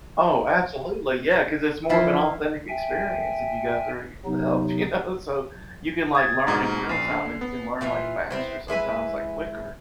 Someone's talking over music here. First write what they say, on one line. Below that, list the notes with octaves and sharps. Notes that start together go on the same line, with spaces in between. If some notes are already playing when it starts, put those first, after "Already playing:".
Oh, absolutely. Yeah, 'cause it's more of an authentic experience if you go through it yourself, you know? So you can, like, learn in real time, and you can learn, like, faster sometimes, like, quicker
E3 F3 E4 F4
E5 G5 G#5
C3 F#3 B3 D#4
D#6 G#6 A6
G#2 B2 A#5
A#1 C#4 C7
D3
B3
A#2 E3 F4
B3 C4 E4
G#3 E4 B4 G#5